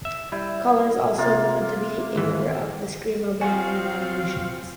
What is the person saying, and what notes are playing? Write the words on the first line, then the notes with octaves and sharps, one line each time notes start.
Koller is also rumored to be a member of the screamo band United Nations.
E5
G3 E4
C3 A#3 F4
G#1 E3
F3 C4 F#4 F5 G#5